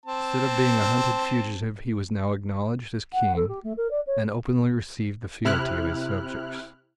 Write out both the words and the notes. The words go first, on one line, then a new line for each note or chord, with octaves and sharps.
Instead of being a hunted fugitive he was now acknowledged as king and openly received the fealty of his subjects.
C4 A5
F#5
A4
G4
A3
A#4
D5
C#5
C3 E4 F6 F#6